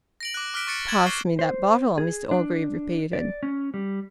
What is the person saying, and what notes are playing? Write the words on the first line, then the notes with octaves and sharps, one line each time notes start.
"Pass me that bottle," Mr Orgreave repeated.
A#6 D7 F#7
D6 F#6
D6 F6 F#6 B6 D7
C#6 A6 C#7 D7
G#6 A6 E7 F#7
C#6 C7 G7
C5
G#4
D4
D5
C#4
G3